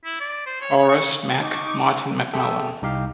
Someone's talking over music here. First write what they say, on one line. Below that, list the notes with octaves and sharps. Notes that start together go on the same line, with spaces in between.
Horace "Mac" Martin McMullen.
E4
D5
C5
C#5
C#5
C#6
D#4 C#6 D6
G#4 A4 E5 G5
C2 D#4 G4 F5